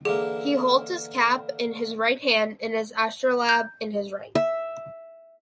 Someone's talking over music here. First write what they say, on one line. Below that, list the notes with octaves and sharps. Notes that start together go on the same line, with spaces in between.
He holds his cap in his right hand and his astrolabe in his right.
D3 E3 A#3 G#4
G6
E5